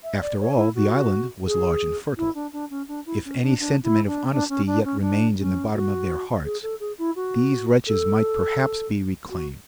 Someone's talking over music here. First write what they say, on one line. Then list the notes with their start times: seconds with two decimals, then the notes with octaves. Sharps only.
After all, the island was large and fertile. If any sentiment of honesty yet remained in the bottom of their hearts, these wretches might perhaps be reclaimed.
0.04 E5
0.21 D5
0.40 C#5
0.56 E4
0.75 F#4
1.46 G#4
2.17 E4
2.35 D4
2.52 D4
2.70 C#4
2.88 D4
3.06 E4
3.25 C#4
3.42 D4
3.59 D4
3.83 E4
4.07 D4
4.31 D4
4.49 C#4
4.67 D4
4.84 C#4
5.02 D4
5.38 C#4
5.74 F#4
6.44 G#4
6.62 A4
6.80 G#4
6.98 E4
7.15 F#4
7.87 A4
9.29 F#4